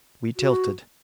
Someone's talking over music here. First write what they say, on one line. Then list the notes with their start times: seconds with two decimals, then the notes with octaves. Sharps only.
We tilted.
0.37 F#4